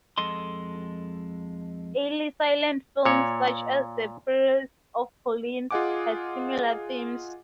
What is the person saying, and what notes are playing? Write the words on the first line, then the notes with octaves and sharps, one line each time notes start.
Early silent films, such as "The Perils of Pauline" had similar themes.
F2 G#3 A4 D#5 C6
A#2 C#5
F4 G#4 D#5 F#5 G#5 D6